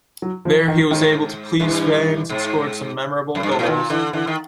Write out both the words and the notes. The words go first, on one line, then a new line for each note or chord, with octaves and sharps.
There he was able to please fans and scored some memorable goals.
F#3
F3
D#3
G#2 D#3
G2 E3
G#2
F#2
G2
G#2
A2
A#2 D#3
D3 E3
D3 E3
D#3